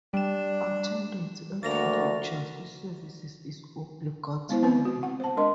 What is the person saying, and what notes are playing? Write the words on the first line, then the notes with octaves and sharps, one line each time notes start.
Attendance at religious services is obligatory.
G3 D4 E7
D2 A#3 F#4 A6 A#6 F7
G#3 B3 E4 C5
B3 C4 B4
F#4
F#5
C5 A5
G#3 D4 A#4 D#5 C6